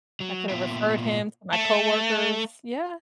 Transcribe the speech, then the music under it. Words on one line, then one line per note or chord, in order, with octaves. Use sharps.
I could have referred him to my coworkers yeah,
F#3
A#2 B3 F4 E5 G5
A3